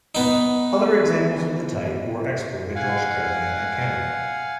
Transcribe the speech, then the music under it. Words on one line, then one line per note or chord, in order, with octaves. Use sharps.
Other examples of the type were exported to Australia and Canada.
B3 D#4
F5 F#5 G#5